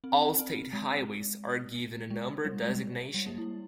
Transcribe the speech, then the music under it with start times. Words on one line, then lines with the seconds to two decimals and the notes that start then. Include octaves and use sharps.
All state highways are given a number designation.
0.04 C4
0.39 C4
0.73 G#3
2.10 G#3
2.45 G3
2.62 G#3
3.14 G3
3.26 A#3
3.38 E4